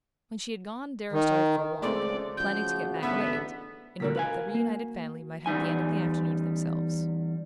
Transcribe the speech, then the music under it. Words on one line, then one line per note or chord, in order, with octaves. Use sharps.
When she had gone Darrow started for a walk, planning to get back late, in order that the reunited family might have the end of the afternoon to themselves.
D#3
C#2 G#3 A3 C4 D5
C#3 F3 F#4 G6
A1 G#2 D3 B3 E5
C#2 A#2 D3 F#4 A#4 B6
B4 F5 G#5
A#3
E2 G3 D#4 G#5